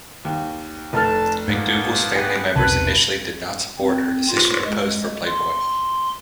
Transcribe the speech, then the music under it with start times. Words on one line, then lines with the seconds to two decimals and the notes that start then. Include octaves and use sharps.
McDougal's family members initially did not support her decision to pose for "Playboy".
0.25 D#2
0.93 F1 A4 A5 F6
1.48 G#2 F3 A#3 B3
2.15 B3 G4 G#4 B4
2.56 E1 B1 C3 B4 A5
3.78 C4
4.29 F4
4.66 G#3
5.25 C6